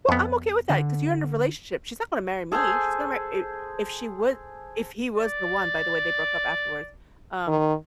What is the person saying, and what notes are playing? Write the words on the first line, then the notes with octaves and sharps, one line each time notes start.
Well, I'm okay with that, ‘cause you're in a relationship. She's not gonna marry me. She's gonna marry i if she would, if he was the one- by the way, they broke up afterwards, um
F2 B3
D3
G#4 A4 C5 G#5
D5
D#3